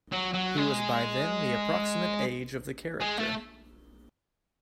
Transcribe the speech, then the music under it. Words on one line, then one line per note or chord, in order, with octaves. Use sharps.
He was by then the approximate age of the character.
F#3
F#3
G#3
G#3
A3